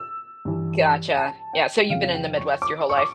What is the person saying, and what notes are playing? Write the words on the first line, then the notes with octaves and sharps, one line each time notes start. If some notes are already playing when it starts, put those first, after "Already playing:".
Gotcha, yeah, so, you've been in the Midwest your whole life?
Already playing: E6
G2 E3 G3
A5
G5
F2 C#3 F3 F5
G5
C#6
D6
C#6
D6